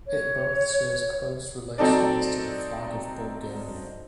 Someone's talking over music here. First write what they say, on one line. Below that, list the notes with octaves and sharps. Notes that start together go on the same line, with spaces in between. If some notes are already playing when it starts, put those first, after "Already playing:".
It both shares close relations to the flag of Bulgaria.
C#5
F#3 C4 D#4 A4 D5